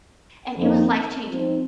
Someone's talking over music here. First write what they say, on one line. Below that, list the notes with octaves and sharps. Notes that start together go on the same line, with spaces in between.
and it was life-changing.
F2 D#3 A#3
F3 C4 D#4